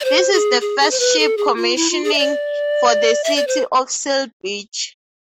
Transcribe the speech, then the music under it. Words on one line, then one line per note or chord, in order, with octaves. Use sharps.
This is the first ship commissioning for the City of Seal Beach.
D5
C5
G#4
G#4
G#4
C5
B4
A4
G#4
F4
E4
F4
G#4
E5
D5
E5
D5
C5